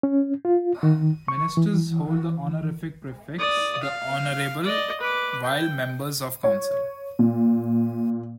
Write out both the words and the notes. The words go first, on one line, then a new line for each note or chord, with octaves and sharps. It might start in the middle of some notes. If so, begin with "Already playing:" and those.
Ministers hold the honorific prefix "The Honourable" while members of the council.
C#4
F4
D#3
C#6
E3
D5 D#6
F5
D5 D#5
B4 D6
G5
C#5
A#2